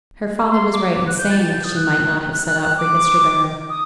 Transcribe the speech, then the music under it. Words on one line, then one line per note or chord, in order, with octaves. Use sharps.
Her father was right in saying that she might not have set out for Yesterbarrow.
C6
D6
D6
F#6
G6
A6
A6
G6
D#6
F#6
F#6
F#6
F#6
D6
D#6